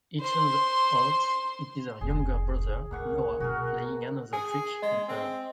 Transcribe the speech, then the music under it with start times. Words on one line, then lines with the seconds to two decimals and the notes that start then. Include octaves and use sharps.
It turns out it is her younger brother, Noah, playing another trick on her.
0.19 C5 C6
2.01 F1 C2 G#4
2.91 C#2 A#3 D#4 F#5 C#6
3.40 B2 F#4 G#4 A#4
4.33 G#4 G#5
4.82 G#3 D#5
5.08 C4